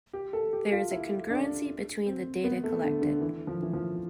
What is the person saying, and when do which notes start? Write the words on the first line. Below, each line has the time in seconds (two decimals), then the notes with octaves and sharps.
There is a congruency between the data collected.
0.13 G4
0.33 A4
0.53 G4
0.72 F4
0.91 E4
1.30 D4
2.06 C4
2.44 B3
2.64 A3
2.84 D3
3.02 D3
3.21 E3
3.47 F3
3.63 E3
3.73 F3